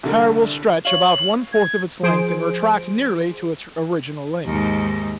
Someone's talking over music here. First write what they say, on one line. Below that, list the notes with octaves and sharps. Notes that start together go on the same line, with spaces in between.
Hair will stretch about one-fourth of its length and retract nearly to its original length.
C2 D3 A#4
C#5 F5 F#7
G#6
F3 G#4 C5 D7
D#2 G#2